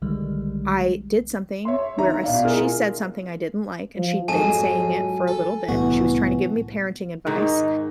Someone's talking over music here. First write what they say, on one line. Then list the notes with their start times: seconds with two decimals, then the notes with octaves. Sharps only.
I did something where I s she said something I didn't like and she'd been saying it for a little bit. She was trying to give me parenting advice
0.02 B1 D3 D#3 G3 G#3
1.65 C#5 E5 C6
1.98 D#3 E5 A#5
2.23 B2 D5 F5
2.44 E4 F4 G#4 A#4
3.97 F3
4.28 F2 G#2 F#3 G#5 A5 D#7
5.28 A4
5.69 C2 A2 E3 B3 F#4
7.27 G#2 D#3 D#4